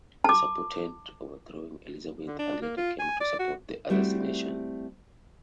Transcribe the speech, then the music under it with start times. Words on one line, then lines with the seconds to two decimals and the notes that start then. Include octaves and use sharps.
He supported overthrowing Elizabeth and later came to support the assassination.
0.24 A5 D6
2.27 D3
2.39 D4
2.62 A#3
2.77 F4
3.00 G#5
3.21 D5
3.39 F#4
3.90 G3 A3 C4 E4 F#4